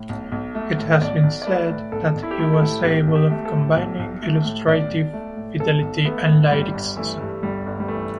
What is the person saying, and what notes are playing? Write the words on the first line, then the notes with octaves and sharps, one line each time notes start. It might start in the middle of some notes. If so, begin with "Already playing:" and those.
It has been said that he was able of "combining illustrative fidelity and lyricism".
Already playing: A2
B1
B1
A3
A2
B1 D5
B1
D5
A3 B4
A2
B1 A4
B1
E4
G4
A3 E4
A4
A2
B1 G4
B1
G4
A3
A4
A2
B1
B1
A3
A2
B1 D5
B1
A3
A2
B1 A4
B1
A3 B3
A2
G1 G3
G1
E3 A3
G2
G1 G3
G1
G3
E3 A3